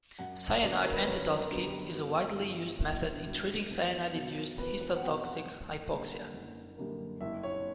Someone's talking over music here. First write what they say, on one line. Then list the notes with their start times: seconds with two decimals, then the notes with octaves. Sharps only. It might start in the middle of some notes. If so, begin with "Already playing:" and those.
Cyanide antidote kit is a widely used method in treating cyanide induced histotoxic hypoxia.
0.19 F#2 F#5
0.62 D3 F#3 B3 D5
0.82 A#4
0.93 B4
1.06 F#2 C#5
1.36 A#4
1.51 D3 F#3 B3
1.66 G4
1.94 G1 F#4
2.38 G2 F#3 E4
2.82 G1 E4
3.12 D4
3.26 G2 F#3
3.40 D4
3.71 E2
4.14 B2 F#3
4.57 E2 B4
4.80 B4
4.96 F#5
5.02 B2 F#3 G5
5.23 F#5
5.45 F#1
5.89 F#2 D3 G3 A#3
6.34 F#1
6.77 F#2 D3 G3 A#3
7.21 F#1 E5
7.43 C#5